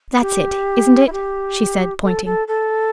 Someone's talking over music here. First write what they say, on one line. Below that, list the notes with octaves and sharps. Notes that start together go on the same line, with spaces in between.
"That's it, isn't it?" she said, pointing.
G4
E4
G4
A4
A4
A4